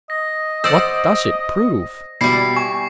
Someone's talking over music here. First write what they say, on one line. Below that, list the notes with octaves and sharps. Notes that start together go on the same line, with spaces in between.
"What does it prove?"
D#5 A#6
C5 D5 F#5 E6
B2 G3 E4 D5 B5 C7
G#5 C#6